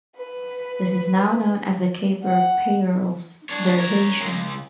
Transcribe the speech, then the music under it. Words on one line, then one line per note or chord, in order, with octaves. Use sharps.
This is now known as the Kapur-Peierls derivation.
B4
F#5
D4 C#5
A#4 C#5
C#3 G#3